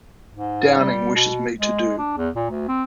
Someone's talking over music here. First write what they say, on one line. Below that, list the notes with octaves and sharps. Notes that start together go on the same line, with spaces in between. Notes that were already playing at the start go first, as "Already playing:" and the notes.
Downing wishes me to do.
G#2
G3
B2
G#3
D4
E2
A#2
D2
C4